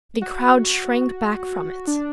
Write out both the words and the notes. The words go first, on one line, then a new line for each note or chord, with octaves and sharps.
The crowd shrank back from it.
F#4
D4